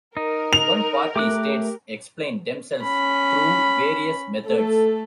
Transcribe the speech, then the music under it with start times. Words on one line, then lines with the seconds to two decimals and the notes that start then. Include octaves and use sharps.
One-party states explain themselves through various methods.
0.17 D#4 A#4
0.53 F7
1.16 A3 G4 D6 F#6
2.82 C#4 B5
4.46 A3 A4